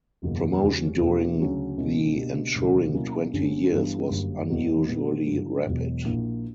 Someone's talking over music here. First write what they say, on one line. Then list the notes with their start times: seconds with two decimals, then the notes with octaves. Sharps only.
Promotion during the ensuring twenty years was unusually rapid.
0.22 F#1 E2 B2 F#3 A#3
0.61 E2 C#3 G3 C#4 F#4
1.00 E2 B2 A#3 D4 G4
1.39 D2 C#3 F#3 C#4
1.78 C#2 B2 A#3 C#4 E4
2.17 B2 A#3 D4 G4
2.55 E1 D2 C#3
2.94 B2 F#3 A#3 C#4 E4
3.33 G1 G2 D3 G3 C#4
3.72 G2 E3 B3
4.10 G1 F#2 D3 G3 A#3
4.49 E1 E2 B2 F#3 A#3
4.88 A#2 G3 B3
5.27 G2 D3 F#3
5.66 E1 E2 B2 F#3
6.04 A#1 A#2 A#3 E4